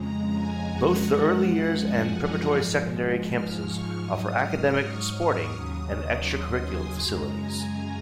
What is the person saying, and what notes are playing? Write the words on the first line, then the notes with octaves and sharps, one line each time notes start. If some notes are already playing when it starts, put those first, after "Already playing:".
Both the Early Years and preparatory-secondary campuses offer academic, sporting and extra curriculum facilities.
Already playing: F2 C#3 G#3 A#5
G#5
F#5
F#2 F3 G#3
G#5
A#5
G#2 F3 G#3
F6
C#6
G#2 F#3 D#6
F6
C#6
D#6
D#2 C#3 F#3
C6
G#5
F#2 C#3 G#3 A#5
G#5